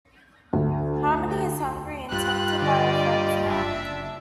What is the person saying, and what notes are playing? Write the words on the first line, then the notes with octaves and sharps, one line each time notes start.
Harmony is hungry and tempted by her friend's neck.
D2
G2 F4 F#6
D3 D5 D#5
F#1 D4 E5